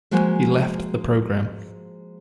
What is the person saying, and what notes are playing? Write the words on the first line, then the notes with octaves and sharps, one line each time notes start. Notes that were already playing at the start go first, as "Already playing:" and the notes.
He left the program.
F3 G#3 A#3 F#4 C5 G#5